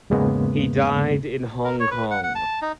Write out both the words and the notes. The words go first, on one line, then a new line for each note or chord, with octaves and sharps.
He died in Hong Kong.
E2 G#2 C#3 G#3 A#3 B3
A#4
C#5
B4
F#5
F#5
A5
D#4